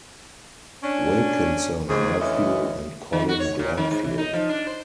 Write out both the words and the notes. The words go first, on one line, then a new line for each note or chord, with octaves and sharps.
Wilkinson, Matthew, and Colin Glanfield.
C#4 D4
D#2 G#2 F3 G#4
D2 E3 C#4 D#5
D#3
F#4
C#5
A#2
D#3
G#2
E3
D#4
F3
D4
C5